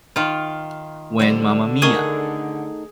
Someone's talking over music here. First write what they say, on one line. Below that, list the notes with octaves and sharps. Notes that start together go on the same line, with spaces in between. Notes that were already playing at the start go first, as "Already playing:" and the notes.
When Mamma Mia!
D#3 F4
D3 G3 C5
A3 D#4 G#4 A#4 F#5 C#6 D#7